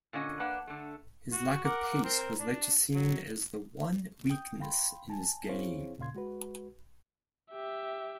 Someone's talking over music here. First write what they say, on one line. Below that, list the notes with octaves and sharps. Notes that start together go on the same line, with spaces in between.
His lack of pace was later seen as the one weakness in his game.
A#2 D3 C#4 D#5
A#3 D4 B4 F#5
D3 A3
F#4
A#4 F#5 D6
C4 A#4 C5
D4
F#3
G5 D#6 G6
F5 G5 B5 C6
G#5 A5
C4 E4 G#4 C5 C#5 F5
D#2 A#2 C#3 F5 C6 G#6
G#3 F#4 B4
G4 E5